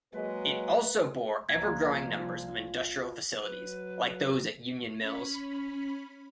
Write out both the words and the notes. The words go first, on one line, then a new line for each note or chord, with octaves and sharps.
It also bore ever-growing numbers of industrial facilities, like those at Union Mills.
F#3 G#3 A#3 B4
C2 A#2 F3 G#6
F#3 B4
C#4 B5